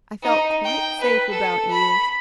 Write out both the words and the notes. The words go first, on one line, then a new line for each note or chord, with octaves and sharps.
I felt quite safe about you.
D#4
G5
B4
A4
B5